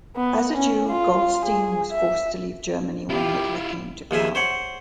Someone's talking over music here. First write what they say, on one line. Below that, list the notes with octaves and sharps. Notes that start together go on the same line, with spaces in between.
As a Jew, Goldstein was forced to leave Germany when Hitler came to power.
B3
C#4
F4
G#4
E5
E4 F4 G4
D#2 F3 G#4 E5
C5 C#5 F#5